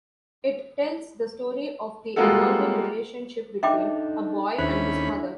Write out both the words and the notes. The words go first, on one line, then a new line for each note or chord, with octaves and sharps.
It tells the story of the evolving relationship between a boy and his mother.
G3 G#3 A#3 F4 F#4 A4
D4 D#4 A4 E5 G5 D6
D#2 D3 C#4 E4 C5 B5